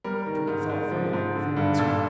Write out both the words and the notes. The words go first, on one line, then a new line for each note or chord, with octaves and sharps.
Turkey thought for a moment before answering.
G3 A#4
D#3
G#2
G#2
F3
G#2
D3
G2
A#2 A4